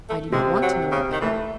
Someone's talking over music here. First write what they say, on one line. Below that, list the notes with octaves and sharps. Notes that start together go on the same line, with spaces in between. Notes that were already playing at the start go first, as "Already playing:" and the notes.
"I do not want to know him better."
A3
C3 G#3
F#3
C#3
D#3
E3 A3